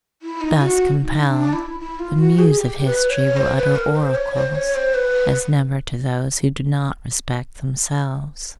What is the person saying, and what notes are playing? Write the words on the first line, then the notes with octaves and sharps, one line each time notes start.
Thus compelled, the Muse of history will utter oracles, as never to those who do not respect themselves.
E4
D#4
F#4
D#4
D4
E4
E4
F4
F#4
G#4
G4
B4
C#5
C5
B4
A#4
C5
C#5
C5
C#5
C5
B4